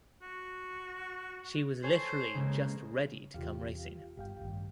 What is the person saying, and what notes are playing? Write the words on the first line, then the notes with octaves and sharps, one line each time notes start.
She was literally just ready to come racing.
F#4
A4 C5 C#5 G#5
C#3 G#3 A#3
E2 C3 F4 G4 F5
G1 G4 F5 G5
A1 G2 D#3